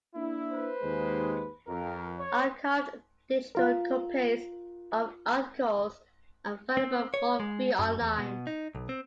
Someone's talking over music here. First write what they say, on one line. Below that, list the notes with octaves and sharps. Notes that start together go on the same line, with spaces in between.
Archived digital copies of articles are available for free online.
A#3 D4 E4
B4 C5
D#2 G#3
F2 A#4
C#5
F4 A#4
C4
C#5
G#3
F#2
E2
B2
D#4
B1
C4